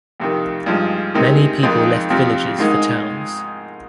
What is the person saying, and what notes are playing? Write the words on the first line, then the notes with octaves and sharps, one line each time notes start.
Many people left villages for towns.
F2 C3 D#3
G2 F3 G#3 D#4
C3 D#3 G#3 D#4
F2 D#3 G#3 C4 D#4
F2 C3 F3
G#2 D#3 G#3 D#4